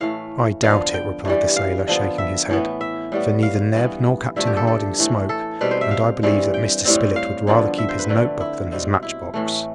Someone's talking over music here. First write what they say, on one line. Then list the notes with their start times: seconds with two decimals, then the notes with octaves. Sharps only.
"I doubt it," replied the sailor, shaking his head, "for neither Neb nor Captain Harding smoke, and I believe that Mr. Spilett would rather keep his note-book than his match-box."
0.01 A2 E3 A3 F5
0.63 D3 F3 B3 F5
0.94 G5
1.25 G2 E3 G3
1.56 F5
1.87 D3 F3 B3
2.18 E5
2.49 A2 E3 B3
2.81 E5
3.12 A2 G3 B3
3.43 F5
3.74 G2 E3 B3
4.36 G2 D3 F3 A3 E5
4.47 G4
4.57 A4
4.67 A4
4.98 A2 E3 A3
5.29 A4
5.61 B2 G3 C4 B4
5.71 C5
5.81 E5
5.91 F5
6.23 G2 E3 G3 C4
6.54 G5
6.85 A2 G3 C4
7.16 F5
7.47 G2 D3 F3 B3
7.78 E5
7.89 C5
7.99 B4
8.09 D3 A3 C4
8.40 E4
8.72 B2 G3 C4
9.03 E4
9.34 A2 E3 A3